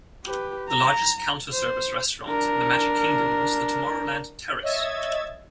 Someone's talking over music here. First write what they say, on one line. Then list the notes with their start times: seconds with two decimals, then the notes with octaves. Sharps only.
The largest counter service restaurant in the Magic Kingdom was the Tomorrowland Terrace.
0.25 G4 B4
0.68 A#5
1.53 C5
2.25 D4 A#4
4.63 C#5 D#5 E5 E6 G#6 A6